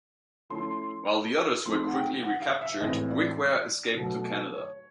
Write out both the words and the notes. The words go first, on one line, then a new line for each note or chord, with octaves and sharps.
While the others were quickly recaptured, Grigware escaped to Canada.
F3 A3 C#4 E4 C6
F3 A3 C4 D#4 C6
F#5
G5
F#5
F5
E5
A2 E3 G#3 C4 D#5
D5
B2 F#3 A3
C#5